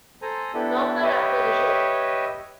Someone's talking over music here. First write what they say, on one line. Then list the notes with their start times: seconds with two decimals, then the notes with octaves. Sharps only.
Doctor after the show.
0.22 A4 C5 G#5 A#5
0.54 B3 D4 E4 G4 A4
1.03 G4 B4 C#5 D#5 E5